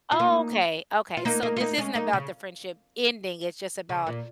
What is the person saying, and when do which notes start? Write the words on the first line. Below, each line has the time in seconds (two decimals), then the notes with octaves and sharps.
Oh, okay, okay. So, this isn't about the friendship ending. It's just about
0.12 F4
0.20 A#3 D#4
1.17 F4
1.25 A#3 D#4
1.43 A#3 D#4
1.56 F4
1.60 A#3 D#4
1.78 G#3 C#4
1.95 A#3 D#4
2.13 C#3
3.89 C#3
4.07 A#2